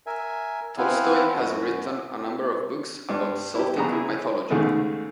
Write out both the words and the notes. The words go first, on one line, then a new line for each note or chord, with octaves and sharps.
Tolstoy has written a number of books about Celtic mythology.
A#4 E5 G#5
B3 C4 E4 F5 F#5 G#5
F#2 F#4
G2
E4 G4
A#1 C#3 B3 A#5
E4 G#4
D#2 G#2 C#3 A3 B3